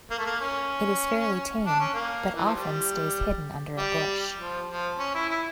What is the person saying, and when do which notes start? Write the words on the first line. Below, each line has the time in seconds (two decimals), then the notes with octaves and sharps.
It is fairly tame, but often stays hidden under a bush.
0.11 A#3
0.18 A3
0.26 A#3
0.41 C#4
1.66 D4
1.80 C#4
1.94 A#3
2.35 E3
2.45 F3
2.54 G3
3.77 G3
4.38 F3
4.68 F3
4.99 C#4
5.14 E4
5.29 E4